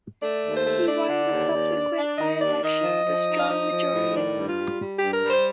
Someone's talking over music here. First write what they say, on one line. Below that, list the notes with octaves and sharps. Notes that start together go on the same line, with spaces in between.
He won the subsequent by-election with a strong majority.
A3 D5
D#2
C5
A3
D4 D5
D3
D#2
D#2
D4
D4
D#3 D#5
D#2 D5
D#3 D#5
F3
F3
D#4
F5
F3 D#5
F3
A2
D#3 D5
G2
F4
G3
G3
G4
G2
A#4
G3
C5